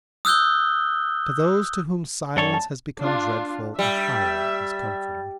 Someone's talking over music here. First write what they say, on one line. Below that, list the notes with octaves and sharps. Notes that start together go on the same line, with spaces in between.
To those to whom silence has become dreadful a howl is comforting.
D#6 E6 F#6 G6 G7
F#2 A4 C#5 D5
A5
D4 F4
G3 E5